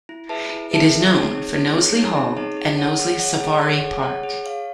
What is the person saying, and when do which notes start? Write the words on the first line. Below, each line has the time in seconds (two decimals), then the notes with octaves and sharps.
It is known for Knowsley Hall and Knowsley Safari Park.
0.09 E4
0.29 G#4 B4 E5 A5
0.50 E4
0.71 G#4 B4 E5 A5
0.91 C4
1.13 D#4 G#4 C#5
1.33 C4
1.54 D#4 G#4 C#5
1.74 C4
1.95 D#4 G#4 C#5
2.16 C4
2.37 D#4 G#4 C#5
2.57 G#4
2.78 C#5 F#5
3.00 G#4
3.20 C#5 F#5
3.41 G#4
3.61 C#5 F#5
3.82 G#4
4.03 C#5 F#5
4.23 G#4
4.44 C#5 F5